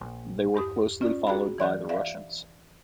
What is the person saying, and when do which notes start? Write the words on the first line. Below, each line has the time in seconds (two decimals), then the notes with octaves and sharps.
They were closely followed by the Russians.
0.01 A#1
0.55 E2 G2 G4 D#6
1.01 C#4 F4 D5
1.27 F#4 G#4 G5 A#5 B5
1.58 E3 D5 F#6 G6
1.89 D5 E5 F5